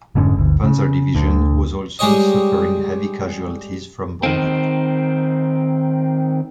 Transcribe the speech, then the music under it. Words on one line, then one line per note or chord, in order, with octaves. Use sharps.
The panzer division was also suffering heavy casualties from bombing.
F1 G#2 D3 C#4
G1 D2
C#3
D2 D3
G3 G#3 G#4 C#5 D#5
D#3 C4